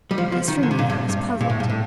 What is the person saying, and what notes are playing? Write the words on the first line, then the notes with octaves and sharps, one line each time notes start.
As for me, I was puzzled.
G3
F3
F3
D#3
D3
C3
A#2
G2
G2
A#2
A2
G2
A2